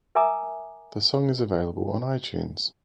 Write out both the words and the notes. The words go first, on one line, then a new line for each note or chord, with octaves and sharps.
The song is available on iTunes.
A#4 E5 G#5 A#5 D6 D#6